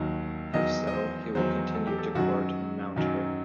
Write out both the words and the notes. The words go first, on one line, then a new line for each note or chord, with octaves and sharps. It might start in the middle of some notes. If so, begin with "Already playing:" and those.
If so, he will continue to court and mount her.
Already playing: D#2 D#3 F#3
E2 D#3 F#3 D#5
D#5
C5
E2 D#3 F#3 C5
A4
G4
A4
F#2 D#3 F#3 F#4
F#2 D#3 F#3